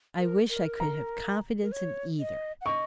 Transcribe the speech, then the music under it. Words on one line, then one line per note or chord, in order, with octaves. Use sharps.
I wish I could have confidence in either.'
A#4
A#4
A#5
A#4
C#5
D#5
F#5
D#5 C#6